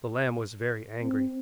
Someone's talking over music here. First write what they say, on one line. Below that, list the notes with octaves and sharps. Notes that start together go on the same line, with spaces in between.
The lamb was very angry.
C4